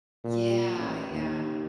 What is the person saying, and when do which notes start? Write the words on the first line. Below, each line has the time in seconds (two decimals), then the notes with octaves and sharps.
Yeah, yeah.
0.24 A#2
0.76 A1
1.09 D#2